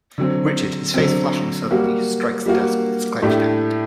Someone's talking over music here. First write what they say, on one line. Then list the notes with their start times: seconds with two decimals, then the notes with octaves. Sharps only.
Richard, his face flushing suddenly, strikes the desk with his clenched hand.
0.18 D3 F#3 C4
0.94 D3 F#3 C4
1.71 G3 A#3 F#4
2.46 G3 A#3 F#4
3.22 A2 A3 D4 G4